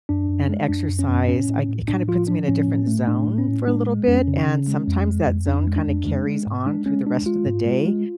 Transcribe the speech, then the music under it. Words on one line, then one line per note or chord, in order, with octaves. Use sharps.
and exercise, I it kinda puts me in a different zone for a little bit, and sometimes that zone kinda carries on through the rest of the day,
F#2 D4
F#2
G#3
F#2 D4
F#2
C#4
F#2
A2 C#4
A2
A2
A2 D4
F3 F4
F3 D4
A2 C#4
A2
A3
A2 D4
A2
C#4
A2
G#3 D4
G#3
F2 C#4
C#3
C#3
G#3
F2
G#3
F2
F2 D4
G#3
D4
F2
G#3
G#3
G#2
G#3 D4
G#3 C#4
G#3 D4
G#3 F4
G#2
G#3
G#3